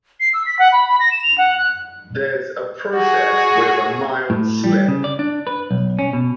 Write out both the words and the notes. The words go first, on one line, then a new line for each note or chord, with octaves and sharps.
There's a process with a mild slip.
C7
E6
B6
F#5
B5
B5
A#6
E7
F7
F#5
F#6
F#4 G#4
A2
G3
C#3
D5
D4
B4
B1
C#4
B2